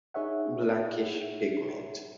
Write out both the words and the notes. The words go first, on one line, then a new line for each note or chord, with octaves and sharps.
Blackish pigment.
D#4 G#4 C#5 E5 F#5